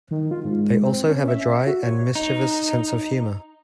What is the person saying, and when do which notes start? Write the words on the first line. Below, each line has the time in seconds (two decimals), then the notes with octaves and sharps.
They also have a dry and mischievous sense of humour.
0.11 D#3
0.31 F4
0.45 G#2
0.83 C4
1.08 C#4
1.28 E5
1.67 F#4
1.82 C#5
2.15 D#4